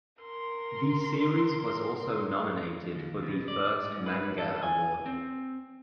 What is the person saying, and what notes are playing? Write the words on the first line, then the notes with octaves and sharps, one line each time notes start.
The series was also nominated for the first manga award.
A#4 C6
D#2
B2
D5
G#2
B4
A4
G#5
C4